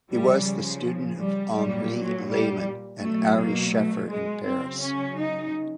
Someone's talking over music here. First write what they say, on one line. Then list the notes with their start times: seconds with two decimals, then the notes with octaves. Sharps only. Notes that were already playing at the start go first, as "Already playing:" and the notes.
He was the student of Henri Lehmann and Ary Scheffer in Paris.
0.10 C#3 F3 G3
1.19 G3
1.55 A#2 F#3 G3
1.93 F#3
2.28 G3
3.01 B2 F#3 A3
3.37 A#3
3.73 A3
4.10 G#3
4.45 C#3 F#3 C4
4.82 C#4
5.18 D#4